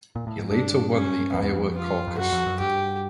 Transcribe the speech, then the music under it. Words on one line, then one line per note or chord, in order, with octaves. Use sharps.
He later won the Iowa caucus.
A#2
A2
G#2
G2 D4
C#4
F2 B3
E2
F2
F4
F2
F#2 F#4
F2
F#2
G2 G4